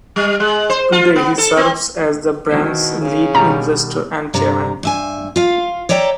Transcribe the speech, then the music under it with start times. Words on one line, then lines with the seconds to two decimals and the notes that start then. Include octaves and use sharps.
Today he serves as the brand's Lead Investor and Chairman.
0.16 G3
0.40 G#3
0.70 C5
0.92 F4
1.16 B3
1.38 A4
1.57 C4
2.51 B2 D#3 E4 C5
3.01 C#3
3.35 B2 D#3 G3 A#5
4.34 G2 C3 A#5
4.83 G2 E5 G#5
5.36 F4 F5
5.89 C#5 D5 E5 G5 A#5